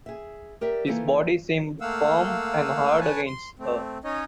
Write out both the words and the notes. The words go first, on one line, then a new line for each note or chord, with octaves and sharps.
His body seemed firm and hard against her.
G#4 E5
G4 A#4 D5 E5
E3 A#3 E4 F4 A4 C5
A3 A#3 F5 F#5 E6
B4 C#5 G#5 A5
C6
A3 C4
C#4 D#4 C#5 D#5